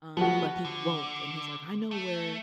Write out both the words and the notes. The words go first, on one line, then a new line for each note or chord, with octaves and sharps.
um, but he won't and he's, like, "I know where
F3 B3 F#4
D3
A3